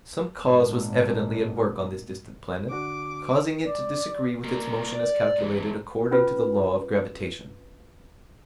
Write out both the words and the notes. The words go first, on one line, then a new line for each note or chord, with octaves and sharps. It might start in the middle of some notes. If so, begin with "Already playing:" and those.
Some cause was evidently at work on this distant planet, causing it to disagree with its motion as calculated according to the law of gravitation.
G#1 A#2
D3 D4 F#4 D6
D5
G3 A#3
D5
G#2 E3
C#4 F4 B4